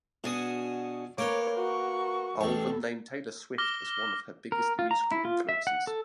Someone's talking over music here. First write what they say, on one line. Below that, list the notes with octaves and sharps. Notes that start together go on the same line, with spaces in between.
Ulven named Taylor Swift as one of her biggest musical influences.
B2 D4 F#4 G#4 G#5 D#6
A#3 A#4 B4 C#5 G5 D6
F#4 C#6
A1 E2 G4 A4 C#6
D6 F6 A#6 G7
A#4
F4
A#5
E4
F4
E5
F#5
A4